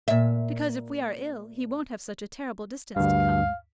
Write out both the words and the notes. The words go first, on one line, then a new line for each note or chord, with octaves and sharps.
"Because if we are ill, he won't have such a terrible distance to come."
A#2 E5
D2 G2 F5